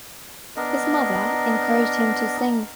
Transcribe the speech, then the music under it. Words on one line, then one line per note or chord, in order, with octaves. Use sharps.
His mother encouraged him to sing.
B3 D4 A#4 D#5